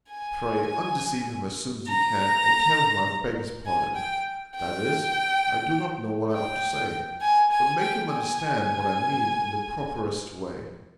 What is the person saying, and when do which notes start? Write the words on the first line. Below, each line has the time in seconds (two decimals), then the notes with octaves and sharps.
Pray undeceive him as soon as you can, and tell him I beg his pardon--that is--I do not know what I ought to say--but make him understand what I mean, in the properest way.
0.10 G#5
1.88 A#5
3.66 G#5
3.95 G5
4.56 G5
6.33 G5
7.21 G#5
7.52 G#5
7.81 G5
8.11 G#5